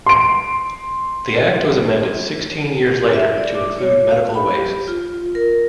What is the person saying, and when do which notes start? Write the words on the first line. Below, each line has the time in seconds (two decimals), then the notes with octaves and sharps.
The Act was amended sixteen years later to include medical wastes.
0.06 C6 D7
2.87 G4
3.13 E5
3.38 D5
3.55 D6
3.79 C#5
4.11 F5
4.34 B5
4.54 G4
4.88 F4
5.35 A#4